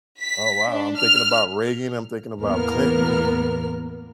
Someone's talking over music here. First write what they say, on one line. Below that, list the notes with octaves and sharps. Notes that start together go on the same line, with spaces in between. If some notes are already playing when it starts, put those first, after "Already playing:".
oh, wow, I'm thinking about Reagan, I'm thinking about Clinton.
B6
D4
F6
E2 A2 A#3 B3 A#4 F6